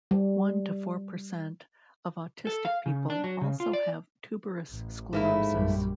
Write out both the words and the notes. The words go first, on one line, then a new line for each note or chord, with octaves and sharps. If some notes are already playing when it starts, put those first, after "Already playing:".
One to four percent of autistic people also have tuberous sclerosis.
G3
A4
F5
C#3
D4
F#3
C#3
F4
D5
A1
G#2 A3 A#3 E4
A#1 F#2 G3